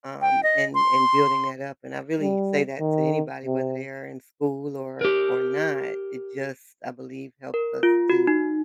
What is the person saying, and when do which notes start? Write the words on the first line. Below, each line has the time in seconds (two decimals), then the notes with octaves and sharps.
Um, and and building that up. And I really say that to anybody whether they are in school or or not. It just, I believe, helps us to
0.21 G5
0.43 D#5
0.75 C6
2.21 G3
2.79 D#3
3.45 C3
5.01 G4 A#4
7.54 A#4
7.83 F4
8.10 F#4
8.27 D#4